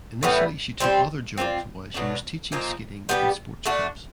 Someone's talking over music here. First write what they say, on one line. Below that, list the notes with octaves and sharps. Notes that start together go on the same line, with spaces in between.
Initially she took other jobs while she was teaching skating in sports clubs.
A2 E3 G3 B3
G3 C4 D#4 G4
C4 F4 A4 D5
B2 F#3 A3 D4
A#2 F3 A#3 D#4
G3 B3 D4 G4
A3 D4 F#4